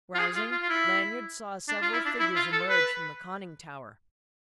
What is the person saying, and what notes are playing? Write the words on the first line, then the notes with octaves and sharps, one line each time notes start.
Rousing, Lanyard saw several figures emerge from the conning tower.
F4
G#4
F4
F4
F4
E4
D4
F4
E4
D4
E4
F4
A4
B4